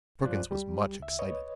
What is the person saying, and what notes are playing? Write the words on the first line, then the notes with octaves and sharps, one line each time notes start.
Perkins was much excited.
G2 F3 F4 C5 D5 F#6
G3 G4
C#2 E5
B4 C#5 D#5